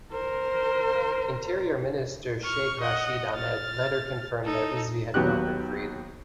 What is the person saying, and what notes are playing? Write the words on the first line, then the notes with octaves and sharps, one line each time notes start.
Interior Minister Sheikh Rasheed Ahmad later confirmed that Rizvi had not been freed.
A#4 C5
C#6 F6
D#5 F#5
F6 A6
D#4 A4
D#2 F#3 B3 F#4 G4 F#6